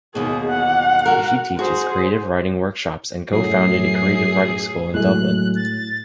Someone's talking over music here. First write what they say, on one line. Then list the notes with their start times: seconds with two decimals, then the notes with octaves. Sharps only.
She teaches creative writing workshops and co-founded a creative writing school in Dublin.
0.15 D#2 B2 G#4
0.49 F#5
1.06 F#4 A#4
1.59 F#4 G#4 C5
3.32 F#2 A2 F#3 G#4 C7
4.94 A2 F#3 G#3 F#6
5.56 A6